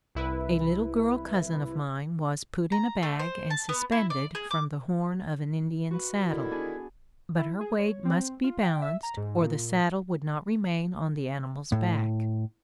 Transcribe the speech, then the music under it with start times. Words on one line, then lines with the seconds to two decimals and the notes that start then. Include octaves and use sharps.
A little girl cousin of mine was put in a bag and suspended from the horn of an Indian saddle; but her weight must be balanced or the saddle would not remain on the animal's back.
0.15 C2 E4 B4
2.72 A#5
3.03 A3
3.19 C5
3.50 A5
3.69 B3
3.92 E4
4.10 D5
4.35 G#4
4.51 D6
5.91 F#4 B4 F#5
6.29 D3 D#3 E4
6.51 B3 D4 G#4
7.38 E4
7.61 G#4
7.79 C#5
8.05 C4
8.44 F4
8.62 G5
8.82 E5
9.03 A#5
9.17 G#2
9.41 A#2
11.72 A2